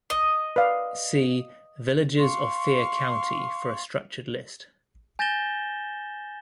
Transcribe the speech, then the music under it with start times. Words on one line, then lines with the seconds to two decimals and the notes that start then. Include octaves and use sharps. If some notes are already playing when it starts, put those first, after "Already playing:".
See Villages of Fier County for a structured list.
0.10 D#5
0.56 B4 D5 F5
2.18 F5 C6 C#6
5.19 G#5 G6 A6 A#6 E7 G7